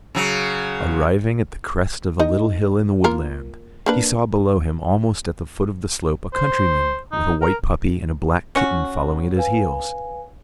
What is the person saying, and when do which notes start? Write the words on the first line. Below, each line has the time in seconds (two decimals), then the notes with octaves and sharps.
Arriving at the crest of a little hill in the woodland, he saw below him, almost at the foot of the slope, a countryman with a white puppy and a black kitten following at his heels.
0.15 C#3 F#3
2.20 D#4 D#5
3.04 A#3 F4 A#4
3.86 A#3 D4 B4
6.33 C5
7.12 D#4
7.41 A#4
8.56 C#4 F#4
9.36 B4 F5 G#5